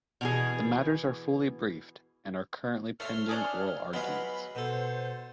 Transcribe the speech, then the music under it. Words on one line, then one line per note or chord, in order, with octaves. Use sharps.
The matters are fully briefed and are currently pending oral arguments.
B2 E3 G#4
A3 C5 C#5 E5 F6
C#4 D4 G#4
F#3 G#3 B3 F5 B5
B2 A4 C5